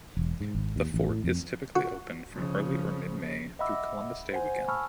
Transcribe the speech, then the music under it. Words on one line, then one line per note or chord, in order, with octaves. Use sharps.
The fort is typically open from early or mid May through Columbus Day weekend.
E1
G#2
G#1
D#2
A1
A2
F2
F#4
C#3 F3
D#5 E5 F#5 B5 D6 E6
C5 F#5 G#5
G#5 A5 B5 C#6 E6 F6